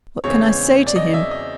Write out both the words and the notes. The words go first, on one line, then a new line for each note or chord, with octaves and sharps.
What can I say to him?
E2 C#3 E3 G#3 C4 C#5
D5
D#5
E5
D#5